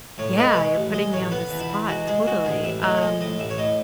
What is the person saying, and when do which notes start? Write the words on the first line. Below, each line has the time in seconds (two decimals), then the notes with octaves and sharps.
Yeah, you're putting me on the spot, totally, um
0.18 A2 C#5
0.37 G#3 B4
0.52 B4
0.56 G#3 C#5
0.75 A1
0.94 G#3 D#5
1.13 A1 C#5
1.31 B3 B4
1.50 E2
1.60 E4
1.69 E2
1.88 G#3 F#4
2.07 G#3 G#4
2.26 G#3 F#4
2.45 A1 G#4
2.64 A1 E5
2.82 A2 D#5
2.96 C#5
3.01 G#3 D#5
3.21 A2 D#5
3.39 A1 E5
3.50 C#5
3.58 A2 D#5